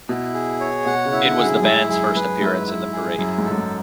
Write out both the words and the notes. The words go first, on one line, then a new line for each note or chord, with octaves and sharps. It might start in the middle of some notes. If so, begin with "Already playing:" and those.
It was the band's first appearance in the Parade.
B2 E4
G#4
C#5
B2 F#5
C#3
E4
D3
G#4
F#3
F#2
G#2 E4
F#2 G#4
G#2 B4
G#2 E4
E4
G#4
F#2 E4
G#2
A4
F#2
G#2